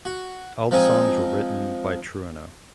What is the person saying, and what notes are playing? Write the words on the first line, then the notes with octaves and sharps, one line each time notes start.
All the songs were written by Trueno.
F#4
F3 G#3 C4 D#4 G#4